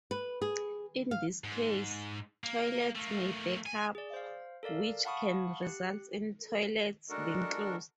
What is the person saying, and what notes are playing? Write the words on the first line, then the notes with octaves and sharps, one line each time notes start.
In this case, toilets may back up, which can result in toilets being closed.
B4
G#4
F5
G#2
A#3
A3 A#3
G#5
G#4 D5
C5 F5
A4 A#4 D5 F5
F5 F#5 A5 B5 C#6 D#6
G4 F#6 C#7
G#3 D4 F#4 A4 A#4